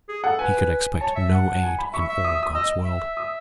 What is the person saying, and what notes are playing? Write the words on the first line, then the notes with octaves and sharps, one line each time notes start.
He could expect no aid in all God's world.
G#4
A4 F#5
B4 G#5
C#5 A5
E5
F#5
G#5
B5
E5 C#6
E5
D#6
D#6
D#5 E6
E5
D#6